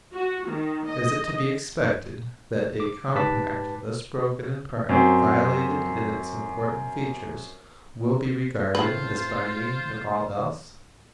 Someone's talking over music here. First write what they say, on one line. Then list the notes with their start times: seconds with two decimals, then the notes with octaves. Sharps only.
Is it to be expected that a compact thus broken in part, violated in its important features, will be regarded as binding in all else?
0.14 F#4
0.48 D#3
0.86 D#5
2.80 D6
3.15 G#2 G4 B4 A5 D6 B6
4.89 F#2 F#3 C4
8.75 A2 A3 C4 F4 B4 C5